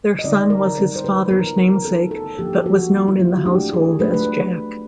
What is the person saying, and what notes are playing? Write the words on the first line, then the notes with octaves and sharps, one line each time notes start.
Their son was his father's namesake, but was known in the household as Jack.
D#5
D3 G3 C4 D#4 D5
A#4
D3 G3 C4 D#4
C5
B4
F#3 B3 D#4 A#4
A#4
F#3 B3 D#4 A4
A4
F3 A#3 D4 G4
F#4
F3 A#3 D4
E4
F4
F#4
F#3 A3 D4 G4
G#4
F#3 A3 D4 B4
B4